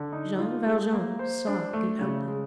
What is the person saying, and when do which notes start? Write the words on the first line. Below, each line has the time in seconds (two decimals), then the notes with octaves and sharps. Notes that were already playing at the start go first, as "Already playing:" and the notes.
Jean Valjean saw the outlet.
Already playing: D3
0.13 D#4
0.39 F4
0.66 G#3
0.93 A#3
1.19 C5
1.47 D4
1.73 A3
2.00 C#3
2.28 G#3